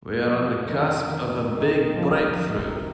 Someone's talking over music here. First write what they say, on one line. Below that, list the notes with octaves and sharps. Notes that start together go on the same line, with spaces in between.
We are on the cusp of a big breakthrough.
F2 C3 F3
D#3
D#3
D#3
F2 C3 F3
D#3
D#3